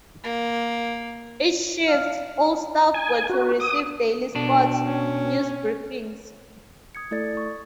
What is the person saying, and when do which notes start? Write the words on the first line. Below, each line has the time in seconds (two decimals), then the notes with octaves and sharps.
Each shift, all staff were to receive daily sports news briefings.
0.24 A#3
1.88 F5
2.94 G#5
3.29 F#4
3.60 D#6
4.35 B2 D4
4.86 C#4
6.95 D#6 G#6 C#7
7.11 A3 E4 A4 D5 A6
7.37 C#6